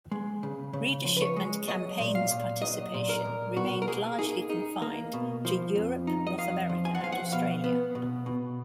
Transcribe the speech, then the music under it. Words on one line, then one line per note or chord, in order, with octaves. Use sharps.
Readership and campaigns participation remained largely confined to Europe, North America and Australia.
G#3
C#3
C#3
F3
B4
C#5
G#3
F#3 D#5
A#2
F5
A#2
F#3 D#5
A#2
A#4
A#2
B2 F#4
A#4
A#3 G#4
D#4 G#4
D#4
A#3
B2
F3
F2
D#4
D#5
F2 F5
F3
G#5
F#5
F3 F5
F#5
B2 F5
B3
B2
B2